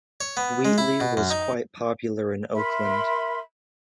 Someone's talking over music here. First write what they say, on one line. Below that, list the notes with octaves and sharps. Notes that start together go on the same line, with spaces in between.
Wheatley was quite popular in Oakland.
C#5
B3
G#3
E4
B2
F#2
D#4
A#4 E5 B5 C6